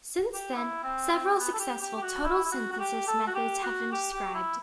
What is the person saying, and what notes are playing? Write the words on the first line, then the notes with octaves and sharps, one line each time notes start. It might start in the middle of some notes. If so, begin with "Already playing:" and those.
Since then several successful total synthesis methods have been described.
G4
E4
C4
C4
C4
B3
A4
G4
G4
G4
F#4
E4
E4
F#4
F#4
G4
A4
F#4
G4
F#4
G4
G4
E4